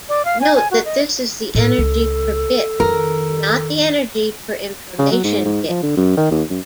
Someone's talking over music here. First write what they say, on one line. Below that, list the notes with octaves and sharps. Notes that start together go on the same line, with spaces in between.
Note that this is the energy per bit, not the energy per information bit.
D5
F5
G#5
G#5
F#4
D#5
A2 A#3 A4
C#2
F2 D#3 A#4
C#3
F#3
G#2
G#2
F3
D3
F#2
D#3
D#2
F#2